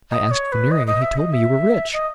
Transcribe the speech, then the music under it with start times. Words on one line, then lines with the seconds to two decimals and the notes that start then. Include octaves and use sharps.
'I asked Veneering, and he told me you were rich.'
0.11 D#5
0.31 C#5
0.52 B4
0.71 D#5
0.87 D#5
1.02 E5
1.17 D#5
1.32 E5
1.93 D#5